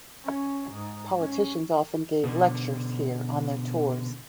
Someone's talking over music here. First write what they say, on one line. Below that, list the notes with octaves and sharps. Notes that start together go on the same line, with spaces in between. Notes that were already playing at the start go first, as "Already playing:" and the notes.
Politicians often gave lectures here on their tours.
C#4
G#2
C#4
B2 D3